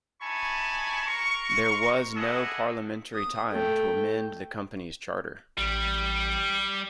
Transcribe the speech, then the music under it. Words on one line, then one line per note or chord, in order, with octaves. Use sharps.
There was no parliamentary time to amend the company's charter.
D#4 E4 G#5 A5 B5 C#6
A#4 A#5 C6 C#6
G3 E4 G#4 A4 D#5 F#5
D#6
A3 G5
A1 G3